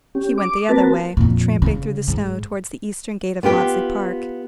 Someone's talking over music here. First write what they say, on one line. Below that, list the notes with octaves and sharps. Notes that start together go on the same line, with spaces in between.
He went the other way, tramping through the snow, towards the eastern gate of Maudesley Park.
C#4 G4
D6
A#3 C4 F#4 A#4 B4 A5
F2 A#2
C#3
G#2
B3 F4 G4 B4